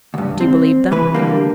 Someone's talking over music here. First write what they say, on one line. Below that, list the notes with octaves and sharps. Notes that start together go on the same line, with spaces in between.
"Do you believe them?"
D2 G2
C4
E3 B4
D2 D3 G3 A#3